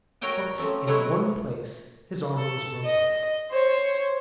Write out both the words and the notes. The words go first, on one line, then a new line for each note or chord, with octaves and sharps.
But in one place his armor was broken.
F#4 A#4 C#5 E5 G5 G#5
F3 A3 C4 C#4
F#3 G#3 A3 E4 B4 C#5
A4
D#5
C5 C#5